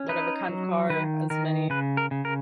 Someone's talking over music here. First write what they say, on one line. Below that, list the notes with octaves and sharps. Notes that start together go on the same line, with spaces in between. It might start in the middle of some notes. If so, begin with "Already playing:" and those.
whatever kind of car, as many
Already playing: C#4
D#4 B4
F#3
D#3 B4
D#3 A#4
C#3 B4
A#4
C#3
A#4